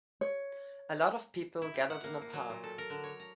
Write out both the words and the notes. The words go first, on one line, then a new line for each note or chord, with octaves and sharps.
A lot of people gathered in a park.
C#5
E4
G4
F#5
A#3
A#3
F#3
A#2
A4
A#4
D3
C#5
A#5